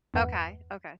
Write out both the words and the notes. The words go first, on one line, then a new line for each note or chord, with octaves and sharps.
Okay, okay.
E2 G2 B4 F#5